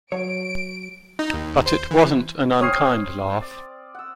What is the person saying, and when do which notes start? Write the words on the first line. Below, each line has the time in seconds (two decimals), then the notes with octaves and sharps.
But it wasn't an unkind laugh.
0.12 F#3 C#5 D7
1.19 D#4
1.33 D#2
1.66 C5
1.91 E3
2.61 C4 C#5 D#6 F6 C7
3.41 D5
3.95 F#5 E6